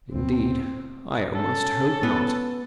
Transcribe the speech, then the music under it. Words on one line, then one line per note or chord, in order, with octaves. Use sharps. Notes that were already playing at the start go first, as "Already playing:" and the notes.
Indeed, I almost hope not.'
D2 B3 C4
C#4 A4
B3